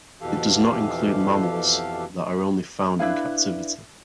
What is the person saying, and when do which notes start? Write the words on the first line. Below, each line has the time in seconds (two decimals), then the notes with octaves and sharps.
It does not include mammals that are only found in captivity.
0.21 F2 B2 E3 G4 A4 F5
2.99 D4 E4 B4 F5